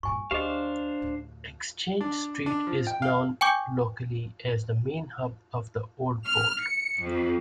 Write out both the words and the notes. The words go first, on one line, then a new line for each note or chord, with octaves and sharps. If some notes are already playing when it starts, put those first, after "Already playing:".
Exchange Street is known locally as the main hub of the Old Port.
G2 A#2 G#5 C#6
D2 D4 G4 G#4 C5 D#5 F5
D2 A2
D4
D4
F3
G5
F5
G5 G#5 C#6 D6 G6
F6
C#7
F2